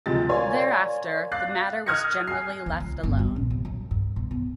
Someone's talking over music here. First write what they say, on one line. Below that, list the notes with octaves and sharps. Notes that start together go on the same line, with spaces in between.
Thereafter, the matter was generally left alone.
D2 C3 F3 G#3 A6
A#4 C#5 D5 F5 G#5 C6
F5 D6 F#6 A6 C7
D#6 F6 F#6 G#6 A#6 C#7
G#5 C7
E2
C#2
G1
B3
A#1
C3
F#2
G2
B2
B3